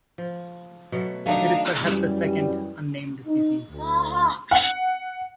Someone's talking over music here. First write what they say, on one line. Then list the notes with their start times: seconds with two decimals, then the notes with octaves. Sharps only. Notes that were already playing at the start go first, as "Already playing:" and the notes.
There's perhaps a second, unnamed species.
0.18 F3
0.92 B2 F#3 A3
1.26 D#3 F#3 A3 D4 D#4 F5
1.81 F#2 E3 G3
3.26 D#4
3.70 D2
4.51 F#5